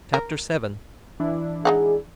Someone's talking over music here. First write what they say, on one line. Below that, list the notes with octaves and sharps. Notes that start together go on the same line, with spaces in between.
Chapter VII.
A#4
E3 D4 E4
G#3 D#4 G#4 F#5